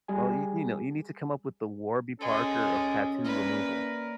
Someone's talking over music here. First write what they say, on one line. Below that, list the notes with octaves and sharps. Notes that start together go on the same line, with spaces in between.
Well, you you know, you need to come up with the Warby Parker of tattoo removal.
G3 G#4 G#5
G#3 C#4 A4
A#3 A#4 B4 D5